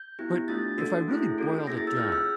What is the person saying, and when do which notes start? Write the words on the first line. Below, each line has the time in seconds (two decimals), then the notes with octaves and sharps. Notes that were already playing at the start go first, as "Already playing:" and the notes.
but if I really boiled it down,
Already playing: G6
0.19 B3 E4 G4
0.48 A3 D4 F4 A6
0.78 A#3 D4 F#4 A4
1.08 A3 C#4 E4 G#4
1.38 C#4 F#4 A4
1.67 A#3 C#4 E4 G#4 A#6
1.77 A6
1.87 E6
1.97 C#4 F4 G#4 F6
2.12 E6